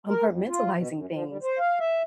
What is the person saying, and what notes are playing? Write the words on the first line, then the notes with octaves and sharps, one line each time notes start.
compartmentalizing things,
A#4
F2
F4
B2
F#2
F3
G3
C5
F5
E5